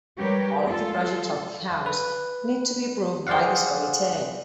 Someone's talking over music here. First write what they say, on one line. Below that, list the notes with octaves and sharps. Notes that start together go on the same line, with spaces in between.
All of the projects of the House need to be approved by this committee.
G3 G4 A#4 B4 C#5
G#3 F4 A4
B4
G#4 C5 D5 F5 F#5